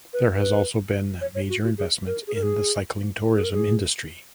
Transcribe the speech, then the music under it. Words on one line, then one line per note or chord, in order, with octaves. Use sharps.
There has also been major investment into the cycling tourism industry.
B4
B4
C#5
C#5
F#4
F#4
G#4
A#4
G#4
A#4
G#4
G#4
A#4
G#4